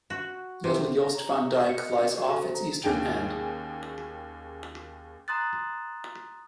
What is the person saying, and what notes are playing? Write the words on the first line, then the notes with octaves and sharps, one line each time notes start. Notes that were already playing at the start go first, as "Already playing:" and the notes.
Little Jost Van Dyke lies off its eastern end.
F#4
C3
A#6
A#5
G4
E5
E5
C#7
D#5
C#4
F#4
A4
C5
A#5
D#2 C#4 G#4 G5
A#5 C6 D#6 F#6 A6